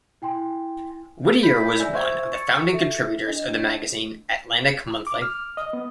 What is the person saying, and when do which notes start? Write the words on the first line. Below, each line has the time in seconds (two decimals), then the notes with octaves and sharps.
Whittier was one of the founding contributors of the magazine "Atlantic Monthly".
0.22 E4 G5 G#5 C6
1.43 B5 G6 B6
1.78 D5 E5 G#5 E6 G6 A#6
1.94 C5 E5 C6 C#6 E6 G#6
2.32 C#6 A6 C#7
2.72 A4 E5
3.27 D4 D#5
5.07 D6
5.22 F6
5.57 D#5
5.73 B3